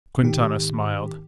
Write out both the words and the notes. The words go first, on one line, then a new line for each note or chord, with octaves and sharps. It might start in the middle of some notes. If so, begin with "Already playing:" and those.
Quintana smiled.
G#2 D#3 G4